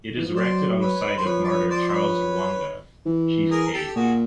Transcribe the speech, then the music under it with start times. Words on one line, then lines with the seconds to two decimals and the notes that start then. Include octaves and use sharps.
It is erected on the site of martyr Charles Lwanga, chief page.
0.17 E3
0.26 F3
0.35 F#3 C5 D5
0.80 B4 C#5
1.17 C5
1.25 F3 B4 C#5
1.44 D5
1.48 B4 C#5
1.70 C5 D5
1.88 C5
1.94 B4 C#5
3.06 E3
3.51 G#4 A#4
3.67 A#4
3.74 G4 A4
3.88 G4
3.95 A#2 F#4 G#4